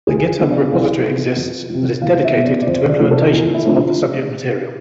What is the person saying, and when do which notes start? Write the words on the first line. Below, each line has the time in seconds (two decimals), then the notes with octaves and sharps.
A Github repository exists that is dedicated to implementations of the subject material.
0.07 D2 G#4
0.28 F4
0.39 D3 F3 B3
0.50 D5
0.72 C2 F5
1.05 C3 E3 B3
1.37 F2
1.70 C3 F3
2.02 E2 F5
2.24 E5
2.35 B2 B3
2.46 D5
2.62 D5
2.67 F2 C5
2.89 D5
2.99 C3 F3 A3 C4
3.11 A4
3.32 E2 F4
3.53 E4
3.65 D3 F3 A3 C4
3.75 F4